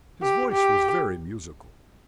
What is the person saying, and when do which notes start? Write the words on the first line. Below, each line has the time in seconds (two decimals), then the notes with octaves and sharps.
His voice was very musical.
0.23 G4
0.52 G4